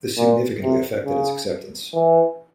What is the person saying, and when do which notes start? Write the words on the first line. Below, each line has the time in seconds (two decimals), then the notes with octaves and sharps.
This significantly affected its acceptance.
0.18 A#2
0.62 C3
1.05 C#3
1.93 E3